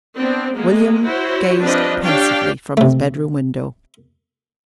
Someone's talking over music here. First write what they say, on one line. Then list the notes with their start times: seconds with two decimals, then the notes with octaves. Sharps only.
William gazed pensively from his bedroom window.
0.17 B3 C4 D4
0.55 G#3 A#3 B3
1.04 E4 F#4 C5 C#5
1.60 F3 G3 C4 D4 B4 D#5
2.03 D4 G4 C#5 F5 G5
2.77 C3 A3